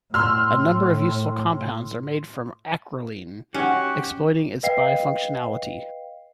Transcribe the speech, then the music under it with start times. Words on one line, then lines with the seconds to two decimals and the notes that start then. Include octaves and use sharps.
A number of useful compounds are made from acrolein, exploiting its bifunctionality.
0.14 A2 C6 E6 F6
3.54 C#4 D#4 F#4 G4 C#5 F#5
4.63 B4 D#5 F5 G5 C7